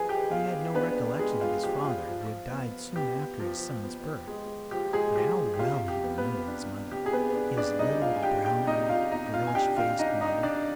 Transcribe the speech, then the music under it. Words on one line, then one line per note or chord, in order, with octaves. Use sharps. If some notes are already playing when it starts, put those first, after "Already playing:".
He had no recollection of his father, who had died soon after his son's birth, but how well he remembered his mother, his little, brown-eyed, girlish-faced mother!
Already playing: F3 G#4 B4 G#5
G4 G5
B3 F4 F5
B3 D4 B4
G#3 G#4
F4
F3 G4
F4
F3
B3
B3 G4
F3
B3
G#3
F3 G4
G#3 G#4
F3 G4
G4
C3 F4
G4
B3
B3 B4
D4
C3 G4
G#4
B3 B4
D4
D4 D5
G3 D#4 D#5
F4 F5
G#5
D4 G4 G5
G4 G5
C3 D#4 D#5
F4 F5
B2 D#4 D#5
F4 F5
G#5
D4 G4 G5
F4 F5
D4 D#4 D#5
D#4 D#5
D4 D5